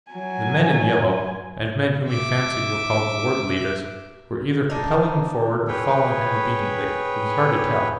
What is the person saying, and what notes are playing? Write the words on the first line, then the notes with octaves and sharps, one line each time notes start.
The men in yellow, and men whom he fancied were called Ward Leaders, were either propelling him forward or following him obediently; it was hard to tell.
F#3 G#5
E5 D6
A#3 D4 D#4
G#4 B4 C#5 G5